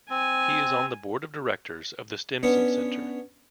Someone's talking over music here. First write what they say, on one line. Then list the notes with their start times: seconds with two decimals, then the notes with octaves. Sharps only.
He is on the Board of Directors of The Stimson Center.
0.10 C4 G#5
2.43 B3 C#4 D4